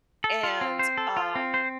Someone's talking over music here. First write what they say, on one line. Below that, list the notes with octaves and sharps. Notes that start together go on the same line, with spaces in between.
and, um
A4
F4
C4
C5
A4
F4
C4
C5